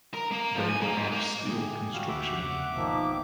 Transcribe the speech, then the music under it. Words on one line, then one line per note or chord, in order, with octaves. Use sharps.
They were of steel construction.
A#4
A#3
F3
G#5
A#3
G#2
A#3
D3 E3 G#3 G4 G#4
G3 F#4 G4 F5
D2 D3 A3 E5 D6
E2 C#3 F#5
G#1 B2 D#3 F3 A#3